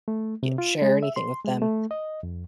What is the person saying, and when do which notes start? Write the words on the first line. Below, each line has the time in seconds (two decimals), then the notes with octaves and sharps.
ge share anything with them-
0.08 A3
0.43 C3
0.58 F4
0.82 G#3
1.03 E5
1.16 C6
1.45 G#3
1.62 A3
1.91 D#5
2.23 F2